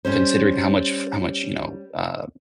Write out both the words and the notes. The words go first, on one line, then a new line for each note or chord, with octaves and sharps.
considering how much fu how much, you know, uh,
G3 C#4 C5